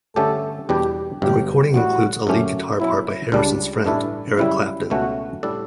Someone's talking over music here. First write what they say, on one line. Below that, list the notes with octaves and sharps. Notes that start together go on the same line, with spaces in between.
The recording includes a lead guitar part by Harrison's friend Eric Clapton.
G2 D3 A3 C#4 G4 A4
E2 B2 G3 D4 G4
G1 G2 F#3 G4
A1 A2 G3 F#4
F#2 D3 A3 C#4 G4
B2 F#3 C#4 E4
C#2 C#3 G3 D4
A1 G2 E3 A3 D4 E4
F#2 C#3 G3 E4
C#2 B2 A3 C#4 F#4
A2 G3 D4 A4